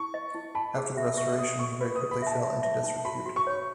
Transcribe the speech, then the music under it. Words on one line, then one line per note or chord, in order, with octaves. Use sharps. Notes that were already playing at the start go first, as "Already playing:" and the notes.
After the Restoration he very quickly fell into disrepute.
Already playing: E4 C#6
D#5
E4
A5 B5
G#4
E5
E5 C#6
A4 D#6
A4 C#6
B4 B5
D#6
B4
B5
E5 A5
E5
E5
D#4
F#4 B5
F#4
C#6
C#5